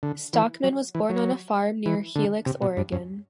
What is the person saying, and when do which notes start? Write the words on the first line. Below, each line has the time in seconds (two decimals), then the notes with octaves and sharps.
Stockman was born on a farm near Helix, Oregon.
0.03 D3
0.33 E3
0.64 F#3
0.95 E3
1.10 F#3
1.86 E3
2.16 D3
2.46 C3
2.62 B2
2.77 G2
2.92 F#2